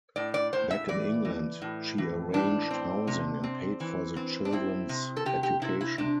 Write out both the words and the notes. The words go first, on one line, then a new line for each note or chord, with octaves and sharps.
Back in England she arranged housing and paid for the children's education.
A2 D5
D5
A2 C5
E5
E3 D5
E3
A2
E3
A2 D4
C4
C3
C4
E3
C4
D4
C4 E4
C3
A4
C3 G4
G4
C3 E4
E4
C3 D4